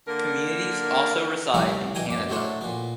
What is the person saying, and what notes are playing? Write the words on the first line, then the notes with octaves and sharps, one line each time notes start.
Communities also reside in Canada.
D3 A#3 A#4
C2 A2 B3 A#4 D5 C#6
B2 E3 G5 G#5 A#5
F#2 D6
A2 F#3 A3 D4 C5 C#6
A#2 B3